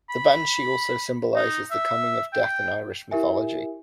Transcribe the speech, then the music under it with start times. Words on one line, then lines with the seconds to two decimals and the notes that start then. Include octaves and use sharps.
The Banshee also symbolizes the coming of death in Irish Mythology.
0.10 B5
1.36 D#4
1.71 E5
2.33 G5
3.11 E4 G4 A#4 E5 G#5